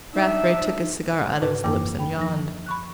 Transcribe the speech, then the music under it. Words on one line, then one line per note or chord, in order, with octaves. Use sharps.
Rathbury took his cigar out of his lips and yawned.
D4 D#4 E5
G#2 C#3 D#4 B4
F#2 E3 A#3 D6 G6
G5 B5
F3 D#4 A#6
B5 C#6 F#6